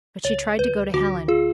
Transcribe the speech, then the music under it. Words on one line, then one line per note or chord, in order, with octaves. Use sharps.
But she tried to go to Helen.
C#2 C#5
D2 B4
D2 F#4
F4 G#4